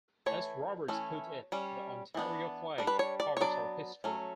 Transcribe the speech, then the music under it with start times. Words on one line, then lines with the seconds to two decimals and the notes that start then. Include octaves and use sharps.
As Robarts put it, the Ontario flag covers our history.
0.26 E3 A3 C#5
0.88 E3 A3 C#4
1.52 G3 C#4
2.14 E3 B3 D4
2.78 G3 D4
2.87 B4
2.99 C#5
3.20 D5
3.37 C#5
3.41 F#3 B3 D4 D5
4.04 F#3 A3 C#4